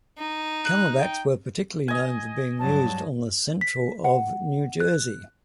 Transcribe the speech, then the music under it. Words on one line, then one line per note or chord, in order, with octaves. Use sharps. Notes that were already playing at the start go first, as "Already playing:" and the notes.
Camelbacks were particularly known for being used on the Central of New Jersey.
D#4
F#6
G5
D#5 G#5
G2 F#3 A5
B6
F#5
F#6